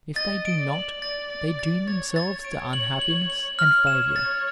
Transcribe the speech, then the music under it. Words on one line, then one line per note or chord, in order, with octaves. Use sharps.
If they do not, they doom themselves to unhappiness and failure.
D#5 A6
D7
D5
F#7
D5 A6
A6
A6
C#5 A6
A6
D7
F#7
F#7
F#7
C#5 F6
E7
A6